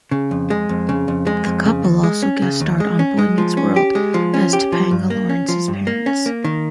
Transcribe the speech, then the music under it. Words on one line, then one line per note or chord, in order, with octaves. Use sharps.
The couple also guest starred on "Boy Meets World" as Topanga Lawrence's parents.
C#3
F2
G#3
F2
C#3
F2
G#3
F2
C#3
D#2
G#3
C#4
C#3
D#2
G#3
C#4
G#3
F3
C#4
G4
G#3
F3
C#4
G4
F3
G2
A#3
C#4
F3
G2
A#3
C#4
A#3
D#3